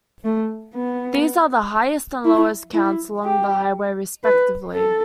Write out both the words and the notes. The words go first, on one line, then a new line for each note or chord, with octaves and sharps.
These are the highest and lowest counts along the highway, respectively.
A3
B3
E4
E4
G4
B4
A4